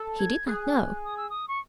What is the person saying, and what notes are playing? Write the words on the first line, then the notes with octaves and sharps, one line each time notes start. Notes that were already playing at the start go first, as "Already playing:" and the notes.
He did not know.
Already playing: A4
G#6
G#4 F#6
D#6
E6
D#6
C#6